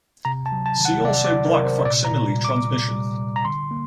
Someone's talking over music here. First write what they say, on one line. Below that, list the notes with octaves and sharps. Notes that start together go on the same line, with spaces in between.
See also Black facsimile transmission.
C3 A#5
A5
F#3
A5
D#3
F#5
C3 D5
D5
F#3
A#4
C3
C5
A#2 D5
A#5
A#2
G3
D6
A#2
G3
G3
A#5
D3 C6
A#3